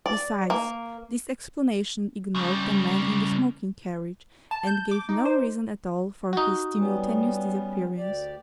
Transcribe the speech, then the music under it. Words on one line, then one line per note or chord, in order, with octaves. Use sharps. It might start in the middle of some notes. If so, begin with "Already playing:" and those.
Besides, this explanation ignored the man in the smoking carriage, and gave no reason at all for his simultaneous disappearance.
D5
A#3
C#3 G3
A5
G6
D6
D#4
C5
D#4 F#4
G3 B3 C#4
D2 G4 D5